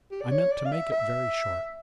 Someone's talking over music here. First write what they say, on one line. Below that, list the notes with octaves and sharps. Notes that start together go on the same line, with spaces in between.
I meant to make it very short.
G4
D5
C#5
D5
F5
E5
E5